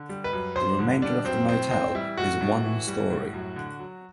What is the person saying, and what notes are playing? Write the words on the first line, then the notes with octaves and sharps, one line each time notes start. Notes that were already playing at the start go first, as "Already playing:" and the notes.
The remainder of the motel is one story.
Already playing: D3
G3
B4
F#2
F#2 C5
D3
G3 D4
F#2 C4
A2 C4
E3 C4
G3 E4
A2 F#4
A2
E3
G3
A2
F#2
D3
F#3